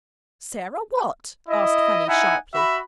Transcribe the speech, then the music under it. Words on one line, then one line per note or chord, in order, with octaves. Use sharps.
'Sarah what?' asked Fanny, sharply.
E4 D#5
D#4 E4 E5 F#5 G#5
F#4 E5 B5